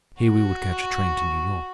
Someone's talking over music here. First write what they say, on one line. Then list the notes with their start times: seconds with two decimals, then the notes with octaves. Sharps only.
Here we would catch a train to New York.
0.22 F#4